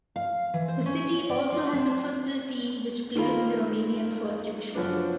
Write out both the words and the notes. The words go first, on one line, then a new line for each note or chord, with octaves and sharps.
The city also has a futsal team which plays in the Romanian First Division.
F5
E3
C5
C#4
D5
F4
C4
D#3 A#3 F4 B5
F#2 F3 B3 D4